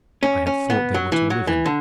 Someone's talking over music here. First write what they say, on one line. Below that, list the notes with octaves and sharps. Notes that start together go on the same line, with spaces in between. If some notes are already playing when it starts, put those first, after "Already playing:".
I had thought they were to live in.
C#4
C#4
B3
F#3
E3
F#3
E3
D3